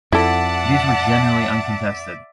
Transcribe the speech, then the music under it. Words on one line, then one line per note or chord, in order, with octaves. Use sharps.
These were generally uncontested.
F2 E4 A4 D5 E5 F#5 A5